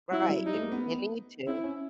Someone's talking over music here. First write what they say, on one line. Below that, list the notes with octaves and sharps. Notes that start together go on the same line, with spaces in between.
Right, you you need to,
F#3 E4
G3
F#3
G3 D#4
A3
A#3
B3
C4 E4
C#4